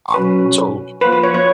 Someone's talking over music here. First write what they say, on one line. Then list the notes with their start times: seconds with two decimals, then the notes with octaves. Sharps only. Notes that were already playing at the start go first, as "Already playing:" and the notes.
Um, so
0.14 B2 F#3 C#4 F#4 B4
1.01 F3 A#3 F4 B4
1.12 B4
1.24 C#5
1.34 C#5